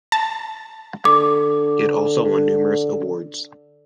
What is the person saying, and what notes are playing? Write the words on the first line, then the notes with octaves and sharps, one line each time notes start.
It also won numerous awards.
A5
D3 D6